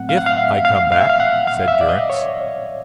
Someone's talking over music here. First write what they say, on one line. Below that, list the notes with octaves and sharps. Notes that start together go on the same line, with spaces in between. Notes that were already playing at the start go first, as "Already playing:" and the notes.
"If I come back," said Durrance.
Already playing: A2 F#3 A3 C4 F#5
F5
F#5
F5
E5
F5
F5
E5
F5
F#5
F5
E5
D5
D#5
C#5